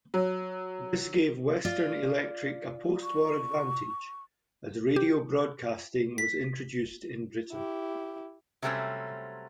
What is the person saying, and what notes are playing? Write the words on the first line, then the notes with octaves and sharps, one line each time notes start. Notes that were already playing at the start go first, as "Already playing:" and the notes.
This gave Western Electric a post-war advantage as radio broadcasting was introduced in Britain.
F#3
F4 D5
C#6
G4
B6
E4 G4
C3 F#3 G3 A3 C4 C#4